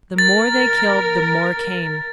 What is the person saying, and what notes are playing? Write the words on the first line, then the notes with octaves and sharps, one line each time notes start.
The more they killed the more came.
A#4 A6